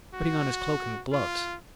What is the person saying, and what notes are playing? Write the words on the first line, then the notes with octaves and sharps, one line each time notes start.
"Putting on his cloak and gloves."
F#4
F4